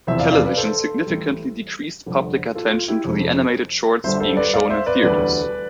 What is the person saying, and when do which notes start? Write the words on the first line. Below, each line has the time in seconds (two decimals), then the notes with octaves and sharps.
Television significantly decreased public attention to the animated shorts being shown in theatres.
0.07 F1 E2 C3 E3 C5 E5
0.19 D5 F5
0.32 D5 F5
0.45 B4 D5
0.57 A4 C5
1.06 A1 A2 E3 G3
2.06 F1 F2 D3 G3
2.55 F4 A4
2.71 F4
2.88 E4 G4
3.05 F1 F2 C3 F3
4.04 G1 G2 D3 G3 C5 E5
4.20 A4 C5
4.37 B4 D5
4.53 D5 F5
4.69 C5 E5
4.86 B4 D5
5.03 E1 D2 D3 G3 B4 D5